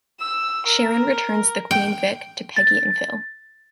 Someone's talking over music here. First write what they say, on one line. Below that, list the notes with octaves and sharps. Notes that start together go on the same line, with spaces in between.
Sharon returns The Queen Vic to Peggy and Phil.
E6
A#4
G5
A6